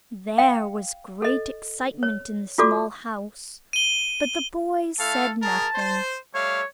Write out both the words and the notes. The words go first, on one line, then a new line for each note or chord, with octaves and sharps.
There was great excitement in the small house, but the boys said nothing.
F5 G5
A4 D#5
C#5
F4 F#4 A4 D5 D6
D#7 G7
A3 E4 A4 F5
G#3 G#4 A#4 A5
C5
G3 A3 C#5 F5